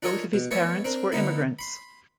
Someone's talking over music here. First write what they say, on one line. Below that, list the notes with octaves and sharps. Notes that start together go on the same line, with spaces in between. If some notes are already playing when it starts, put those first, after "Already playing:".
Both of his parents were immigrants.
D4 F4 A4 A#4 C#5 D#5
B2
A3 B3 C#5 D5 E5
C4 D4 A#4
D3 A3 B3 D#4 E4
B5 C6